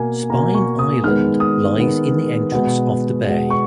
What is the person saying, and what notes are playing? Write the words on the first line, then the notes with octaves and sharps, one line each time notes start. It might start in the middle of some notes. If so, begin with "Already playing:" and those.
Spine Island lies in the entrance of the bay.
Already playing: B2 A#3 G#5
B2 A#3 A#5
C#6
D#6
D#3 G#3 B3 F6
D#6
D#3 G#3 B3
B2 G#3 B3
B2 G#3 B3
C#6